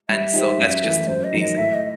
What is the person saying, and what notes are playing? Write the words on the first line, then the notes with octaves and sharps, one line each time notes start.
and so, that's just amazing.
G3 E5
D#4 G4 C5
F#2
E3 A3
F#2 C5
D#5
D#3 F#3
D#5
A2 E5
D#5